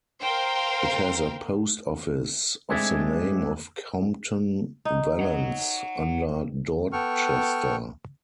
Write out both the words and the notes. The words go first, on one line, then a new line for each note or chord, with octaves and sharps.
It has a post office, of the name of Compton-Vallence, under Dorchester.
A#4 C5 F5 G5
G#3 A3 C4 D4 G#4 E5
D#4
C#5 F#5
B3 A4 G5 C#6 F6